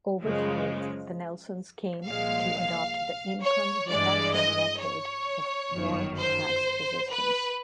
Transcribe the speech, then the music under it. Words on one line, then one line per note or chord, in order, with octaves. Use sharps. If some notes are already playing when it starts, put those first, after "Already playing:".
Over time, the Nelsons came to adopt the income-reduction method of war tax resistance.
F#2 C#3 F3 G#3
C2 A#2 F3 G#3 F5
C#5
G2 E3 G#3 D5
D#5
C#5
G1 F#2 D#3
C5
B4